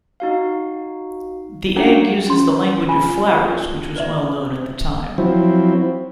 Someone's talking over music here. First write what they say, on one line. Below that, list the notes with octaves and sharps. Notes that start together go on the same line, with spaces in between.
The egg uses the language of flowers which was well known at the time.
D#4 F#4 F5
C#4 D4 F#4 F#5 G5 A#5
C#4 C6
C#5
F4 G#5
F4 D5 A5
B4 D5 E5
F3 F#3 C4 E4